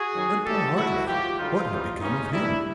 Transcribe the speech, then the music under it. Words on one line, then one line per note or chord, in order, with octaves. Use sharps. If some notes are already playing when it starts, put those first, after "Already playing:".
And poor Hartly--what had become of him?
Already playing: F#4 G#4
F#2 D#3 F#3
G#2 E3 G3 G4 A4
A2 F#3 E4 F#4
G#2 F3 F4 G4
F#2 D3 G3 D#4 F4
C3 E3 G3
G#2 E3 G3 C#4 D#4
B2 G3 D4 E4